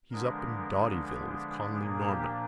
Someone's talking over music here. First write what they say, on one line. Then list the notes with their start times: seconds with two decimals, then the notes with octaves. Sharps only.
He's up in Dottyville with Connolly Norman.
0.10 D3 F3 G#3 B3 D4 A#4
1.80 A#2 F3 A#3 D4 G#4
2.08 G4